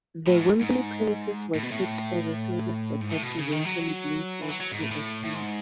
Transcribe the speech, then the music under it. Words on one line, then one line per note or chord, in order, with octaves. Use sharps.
The Wembley premises were kept as a service depot eventually being sold to Singer.
A2
G#2
G#2
A2
B2
A2
G#2
A2
B2
C#3
D#3
F#3
E3
F#3
F#3
G#2
A2
A2
A2
G#2